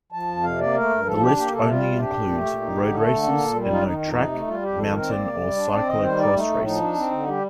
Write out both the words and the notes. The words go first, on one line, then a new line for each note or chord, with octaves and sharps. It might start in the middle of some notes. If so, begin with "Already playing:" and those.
The list only includes road races, and no track, mountain or cyclo-cross races.
F3 A5
F2
C3 F5
A#3 D5
A3 A#4
G2
F3 A4
D4 G4
A#3 G4
C3 A4
G3 F4
C3
D4 G4
A#2
A3
A#2
D#4
D3
A3 A4
D3
A#3
A#2
G3
D#4 F4
D#3 D#4
F2
D#4
C3
A3
G3 F4
F2 G4
D#3 A4
C4 A#4
A#3 D5
C3
G3
D4
C4 D5
D#3 D#5
G3 C5
D#4 D5
A3 D#4
A2
F3 D#4
D4
C4
D3
G3 G4